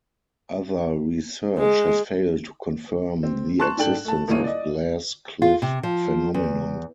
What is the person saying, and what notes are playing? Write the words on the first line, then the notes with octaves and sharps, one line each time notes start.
Other research has failed to confirm the existence of glass cliff phenomenon.
G#3
C4
A5 C6 C#6 F#6 E7
G#2 D4 A4 G5 F#7
A3 A5
D#1 C2 A#3 C#5 D#7
D5 D#5
F4
C3
F3
E2